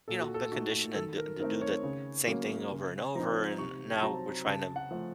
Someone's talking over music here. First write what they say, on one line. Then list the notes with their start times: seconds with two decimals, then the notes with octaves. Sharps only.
you know, been conditioned and d to do the same thing over and over, and now we're tryna,
0.08 A#2 A4
0.21 F#4
0.34 A4
0.52 A3 D#4 F#4
0.95 D#3 A4
1.18 A#4
1.40 A3 C4 D#4 A#4
1.62 C#5
1.83 C#3
2.27 F#3 A#3 C#4
2.71 C#3
3.15 F3 C4 D#4 A#5
3.58 C3 C#6
3.92 A5
4.02 F#3 C4 A#5
4.46 C#3 A5
4.76 F#5
4.91 F3 A3